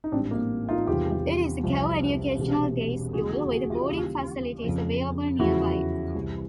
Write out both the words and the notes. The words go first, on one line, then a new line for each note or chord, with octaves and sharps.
It is a co-educational day school with boarding facilities available nearby.
D#4
A1 G#2 E3 G3 C4 D4
A#3
D#4 F4
E2 C3 D#3 G3 F4 G4
C2 C3 F3
E1 E2 C3
D#2 C#3 E3 G3 F#4 G#4
F#4 G#4
F#4 G#4
F4 G4
D#2 C#3 E3 G3
F2 C#3 F3
E2 C#3 F3 E4 F#4
C2 C3 E3